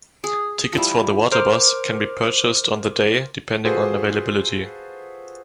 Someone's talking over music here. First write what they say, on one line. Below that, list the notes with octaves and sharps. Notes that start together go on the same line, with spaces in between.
Tickets for the Waterbus can be purchased on the day depending on availability.
G#4
F3 G3 E4
A#4 C5 D6 F6
F4 F#4 G#4 A4 B4 C5